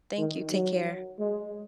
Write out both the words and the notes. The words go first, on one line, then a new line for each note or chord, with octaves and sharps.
Thank you, take care.
D#3
F#3
G#3